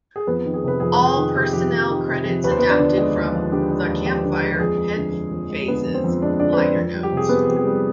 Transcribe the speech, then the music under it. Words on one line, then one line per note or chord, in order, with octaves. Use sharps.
All personnel credits adapted from "The Campfire Headphase"s liner notes.
G#4
F2 B3 B4
D#3
G#4
C3 B4
F2 G#4
B4
F2
G#4
D#3
C3 G4
F2 G4
F2
D#3
C3
F2
D#2 B4
C5
F3 B3 B4
D4 D5
D3
G#3 G#4
D#2
F3
D3 G4
G#3
D#2
F3 G4
D3
G#3
G4
F2 G#4
G#3
D3
F2
F2
G#3
D3 B3 B4
F2
C4 C5
F2
G#3 D4 D5
D3 D4 D5
B4
F2 C4 C5
F2
G3
G4
C3 G#4
B3 C4 B4
F2 G4
G#4
G3